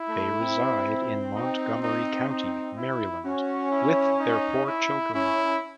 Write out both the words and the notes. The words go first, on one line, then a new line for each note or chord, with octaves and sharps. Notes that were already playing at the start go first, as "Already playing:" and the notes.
They reside in Montgomery County, Maryland with their four children.
Already playing: E4
A3
C4
D#4
D#4
D#4
E4
C#4 F#4
E4
D#4
E4
C#4 E4